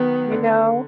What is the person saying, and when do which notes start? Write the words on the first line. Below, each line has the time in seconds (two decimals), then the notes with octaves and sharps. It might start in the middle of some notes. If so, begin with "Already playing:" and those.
you know?
Already playing: D#3 F#3 B3
0.31 D3